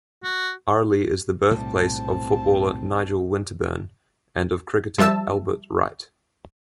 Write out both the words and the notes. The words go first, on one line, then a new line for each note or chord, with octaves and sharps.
Arley is the birthplace of footballer Nigel Winterburn and of cricketer Albert Wright.
F#4
B1 A2 C3 G3 C4 A5
F3 G3 E5 A5 E6